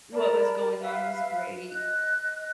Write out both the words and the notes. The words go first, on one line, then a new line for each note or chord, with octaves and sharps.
what was going on was great.
A#4 D5 A5 B5
B4 E5 F5
D#5 F#6